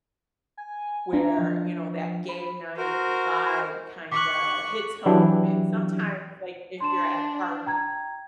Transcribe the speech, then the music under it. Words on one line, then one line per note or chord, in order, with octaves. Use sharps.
where, you know, that game night vibe kinda hits home. And sometimes, like, if you're at a party,
G#5
D4 F4 A#5
F3
B5
F#4 A#4 C5
C#6 D6 F#6 B6
E3 F#3 D4 E4 G4
D4 C6 E7
G5 A#5 G#6